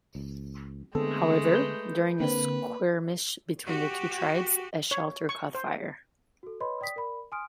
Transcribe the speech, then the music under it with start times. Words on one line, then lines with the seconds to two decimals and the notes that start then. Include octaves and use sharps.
However, during a skirmish between the two tribes, a shelter caught fire.
0.15 C#2
0.95 D3 G#3 A3 B3 C4 A4
1.52 B4 G6
2.20 D3 A#3 C4 B4
3.67 F#4 G4
4.91 C#5
5.29 C#6
5.55 C5
6.43 F#4 A4
6.60 B4 C#5 D#5 B5 C6
6.81 D5 G5 D#6 B6
6.96 A#4 D5 B5
7.32 G#5 C6 D#6 F6 D7